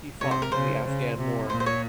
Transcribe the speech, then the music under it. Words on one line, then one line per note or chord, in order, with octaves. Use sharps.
He fought in the Afghan War.
C3 C#5
C5
A#4
C#3 C5
C#3
C3
A#2 C5
C5
C#5